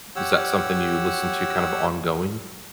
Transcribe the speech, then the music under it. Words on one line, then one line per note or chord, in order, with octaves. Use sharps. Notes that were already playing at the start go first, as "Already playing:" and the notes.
is that something you listen to kind of ongoing?
G4 C#5 F#5 E6